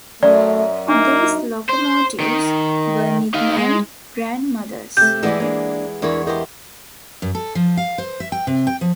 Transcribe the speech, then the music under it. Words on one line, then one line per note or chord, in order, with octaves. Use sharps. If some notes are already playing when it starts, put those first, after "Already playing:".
These locomotives were nicknamed "Grandmothers".
F#2 A3 D5
A#3 D4 D#4
C5
D#3
D#4 F5
G#3
C3 A3 G4 G6
E3 G#3 B3 E4 D5 D#5
A#3 D4
E2 D4 E4 A#4 C#5
E4 G4 A#4 C5 D#5
F#2
A4
F3
F5
C5
E5
G5
C3
G5
F3